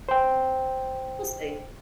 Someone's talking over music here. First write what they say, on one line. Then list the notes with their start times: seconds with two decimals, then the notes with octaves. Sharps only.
we'll see.
0.09 C5 G5